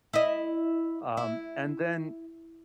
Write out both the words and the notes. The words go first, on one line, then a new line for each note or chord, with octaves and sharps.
Um, and then
E4 D#5
E4